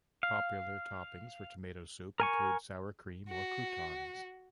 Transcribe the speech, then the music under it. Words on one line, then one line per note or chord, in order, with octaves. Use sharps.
Popular toppings for tomato soup include sour cream or croutons.
F5
A#4 G#5 C#6
F#4